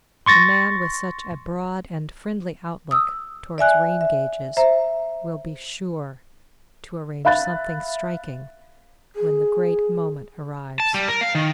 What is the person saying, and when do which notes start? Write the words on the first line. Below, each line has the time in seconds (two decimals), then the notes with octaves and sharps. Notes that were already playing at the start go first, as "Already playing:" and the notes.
A man with such a broad and friendly outlook towards rain-gauges will be sure to arrange something striking when the great moment arrives.
0.26 C6 C#6 A6 A#6
2.91 D#6 E6
3.58 D5 E5 G#5 F#6
4.01 E5
4.57 C5 E5 A#5
7.25 E5 F5 B5 F#6 A6
9.16 G#4
10.80 A5
10.94 G3
11.09 A#4
11.21 F5
11.35 D#3